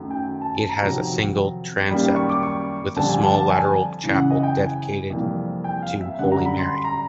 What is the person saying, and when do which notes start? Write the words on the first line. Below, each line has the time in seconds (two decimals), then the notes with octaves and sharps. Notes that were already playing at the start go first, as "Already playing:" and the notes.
It has a single transept, with a small lateral chapel dedicated to Holy Mary.
Already playing: F#2 D#3 F#3 A3
0.11 G5
0.42 A5
0.56 A5
0.69 A#5
0.82 F2 C3 D#3 F#3
1.89 F#2 D#3 G3 A#3 B5
2.16 C#6
2.29 D6
2.43 C#6
2.96 F2 D3 G3 A5
3.09 G#5
3.23 A5
3.37 A5
3.50 G#5
4.04 F#2 C#3 E3
4.17 F#5
4.31 D#5
4.43 G5
4.57 G#5
5.10 F2 C3 E3 G3 A#3
5.64 G5
5.83 F5
6.01 E5
6.18 F#2 D3 G3 F#5
6.32 A#5
6.45 B5
6.59 C6
6.71 B5
6.85 A#5